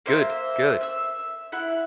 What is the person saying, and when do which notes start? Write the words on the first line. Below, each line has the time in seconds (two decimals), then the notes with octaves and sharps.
Good, good.
0.06 A#3 C5 E5
0.81 E5 E6
1.52 E4 F#5